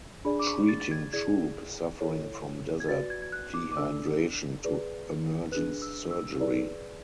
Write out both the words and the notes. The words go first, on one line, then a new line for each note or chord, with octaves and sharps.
Treating troop suffering from desert dehydration to emergence surgery.
D4 G#4 D5 B5
D6
C#6
A6
A6
G#6
E4 G#4 D5 G#6
E4 A4 C#5
G#6
F#4 B4 D5 A6
G#6
G#6
F#6
D6
D6
D4 A4 D5 E6
G#4 B4 D5
D4 G#4 B4 F#6
E6
E6
G#4 B4 D5